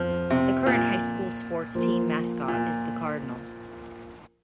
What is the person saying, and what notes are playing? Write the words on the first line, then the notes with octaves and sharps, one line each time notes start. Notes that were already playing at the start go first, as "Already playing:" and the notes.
The current high school sports team mascot is the cardinal.
Already playing: F2 F3 C4
C3
A#2
F3 A#3 F4 C5
A#2